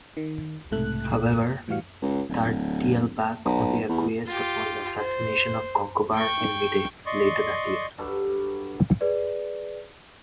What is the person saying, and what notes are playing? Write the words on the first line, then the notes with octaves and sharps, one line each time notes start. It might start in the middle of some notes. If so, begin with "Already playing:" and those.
However, Tairrdelbach only acquiesced upon the assassination of Conchobar in Mide, later that year.
D#3
B1 G#2 C3 A3 A4 F#6
A2 E3 G3 F#4 F5 C#7
C#2
D1
B1
E2
F4 G4
C5
G5 C#6
D5 D#5 C6 C#6
G2 F#3 G3 A4
G#4 B4 D5